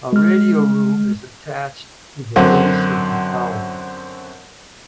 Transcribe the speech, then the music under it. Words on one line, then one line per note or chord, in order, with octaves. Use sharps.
A radio room is attached to the base of the tower.
G#3 F6
F#2 D3 C4